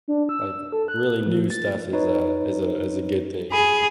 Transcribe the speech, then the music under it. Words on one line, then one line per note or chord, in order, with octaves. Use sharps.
like, really new stuff is a is a is a good thing.
D4
E6
A4
F#6
F3
A6
D#4 B4 C#5
G#4 B5